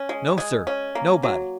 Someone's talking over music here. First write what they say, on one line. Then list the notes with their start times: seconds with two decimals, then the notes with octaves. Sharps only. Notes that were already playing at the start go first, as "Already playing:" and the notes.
"No, sir, nobody."
Already playing: C#4
0.09 G#3
0.38 G#3
0.67 C#4
0.95 A#3
1.23 F#3